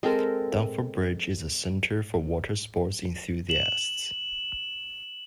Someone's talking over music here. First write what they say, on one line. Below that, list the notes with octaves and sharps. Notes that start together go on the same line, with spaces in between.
Dunford Bridge is a centre for watersports enthusiasts.
G#3 C4 A4 A#4
E7 F#7